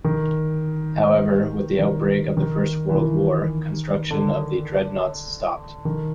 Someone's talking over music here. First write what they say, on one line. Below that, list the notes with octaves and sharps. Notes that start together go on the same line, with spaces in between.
However, with the outbreak of the First World War, construction of the dreadnoughts stopped.
D#3
D#3
D#3
E3
D#3
D3
D#3